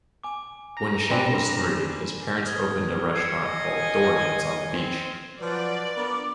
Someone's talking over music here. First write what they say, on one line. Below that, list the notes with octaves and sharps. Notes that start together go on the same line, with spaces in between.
When Shane was three, his parents opened a restaurant called "Dorian's" on the beach.
G#5 D6
A#5
C4 D4 G#5 B5 E7
D#6 F6 G#6
E6 G#6 C7 C#7
D#5 G#5
C4
F3 F#3 B4 D5
B3 D4 A#4 D6